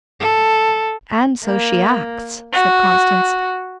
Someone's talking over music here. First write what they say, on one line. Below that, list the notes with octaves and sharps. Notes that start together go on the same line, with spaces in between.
"And so she acts," said Constance.
A4
A#3
F#4